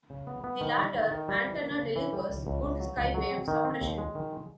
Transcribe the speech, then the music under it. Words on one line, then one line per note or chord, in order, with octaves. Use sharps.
The latter antenna delivers good skywave suppression.
C#3
B3
B3
D#3
G3
D#3
D#3
G3
E3
A#3
C#3
E3
G3
C#2
C#2
C#2
F#3
C#2
F#3
C4
D#3
C4
D#2
G#3
D#3
G#3